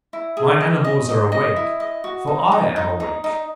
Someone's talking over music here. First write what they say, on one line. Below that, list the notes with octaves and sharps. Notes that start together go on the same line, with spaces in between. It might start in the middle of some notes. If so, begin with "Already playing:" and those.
Mine animals are awake, for I am awake.
E4
G#4
D#5
D#5
D#5
D#5
E4
D#5
F#4
D#4
D#4
D#4
D#4
D#4